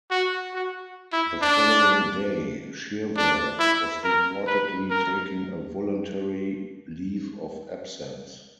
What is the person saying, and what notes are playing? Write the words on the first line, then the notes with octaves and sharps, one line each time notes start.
The following day, Shirvell was reportedly taking a voluntary leave of absence.
F#4
F#4
E4
D4
D4
E4
A#4
B4
A#4